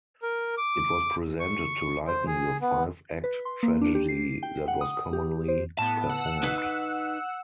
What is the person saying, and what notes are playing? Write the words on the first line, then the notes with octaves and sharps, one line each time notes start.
It was presented to lighten the five-act tragedy that was commonly performed.
A#4
D6
C#6
C5
G#4
B3
B4
C6
A#3
D4
G4
C7
G5
F#5
D#6
G4
C5
A2 B3 A5
F#5 E6
D#4 B4